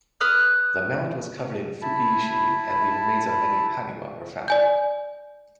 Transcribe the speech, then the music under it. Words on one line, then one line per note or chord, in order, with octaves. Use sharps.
The mound was covered in "fukiishi" and the remains of many "haniwa" were found.
B4 D#6 F6
E4 A5 B5
D5 G#5 G6